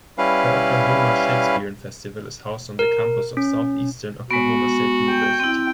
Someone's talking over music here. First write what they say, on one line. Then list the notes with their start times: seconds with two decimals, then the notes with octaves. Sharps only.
The Oklahoma Shakespearean Festival is housed on the campus of Southeastern Oklahoma State University.
0.18 G3 C#4 E4 B4 F5
2.79 A#4
3.37 C#4
4.31 G#3 B3 F#4
5.10 G5
5.40 C4 E4